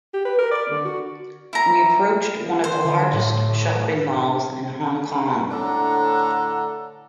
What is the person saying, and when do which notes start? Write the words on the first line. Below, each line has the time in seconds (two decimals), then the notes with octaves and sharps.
We approached one of the largest shopping malls in Hong Kong.
0.14 G4
0.25 B4
0.38 A#4
0.52 D5
0.71 D3
0.85 F#4
1.53 E4 A#5
2.64 C5
2.85 D3
3.13 A2
5.52 A2 D3 D4 A4 F#5 A#5